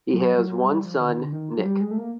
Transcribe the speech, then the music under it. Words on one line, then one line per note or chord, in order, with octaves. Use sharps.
He has one son Nick.
F#3
F#3
G3
F3
D#3
D3
D#3
D3
D#3
F#3
G3
G#3
A3
A#3